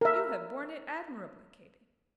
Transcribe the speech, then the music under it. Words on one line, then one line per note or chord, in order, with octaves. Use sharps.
You have borne it admirably, Katy.
A#4 E5